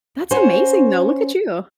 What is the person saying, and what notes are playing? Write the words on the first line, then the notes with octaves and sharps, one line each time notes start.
That's amazing, though. Look at you.
C#4 F#4 C5 C#5